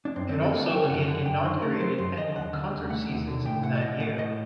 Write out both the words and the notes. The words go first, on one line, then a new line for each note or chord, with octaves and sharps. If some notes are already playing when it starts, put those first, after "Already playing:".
It also again inaugurated annual concert seasons in that year.
D4
F#2 C4
D3 C4
A4
A#3 F#5
F#3 G5
F#2 F#5
D3 F#5
F#2 G5
D#3 C5
A3 A#4
F#3 C5
F#2 C5
D#3 D#5
D#2 F#5
D3
D#2
A3 F#5
D#2
D3
A2 G5
A3 F#5
D5
A3 D#5
A2 F#5
A2 D#5